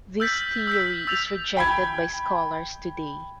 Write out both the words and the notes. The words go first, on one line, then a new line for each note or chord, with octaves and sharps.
This theory is rejected by scholars today.
E6 F6 G6 A6 B6 F#7
E6 G6 B6
E6 G6 A6 F7
G5 B5 G#6